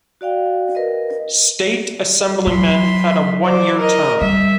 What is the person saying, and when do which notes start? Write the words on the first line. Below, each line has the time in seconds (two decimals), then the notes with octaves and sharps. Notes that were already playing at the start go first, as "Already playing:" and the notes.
State Assemblymen had a one-year term.
0.21 F#4 D5 F5 G5
0.75 A#4 B4 D#5
2.47 F#3 B5 C6
3.44 C5 D5
3.79 A#4 D#5
4.21 G3 E5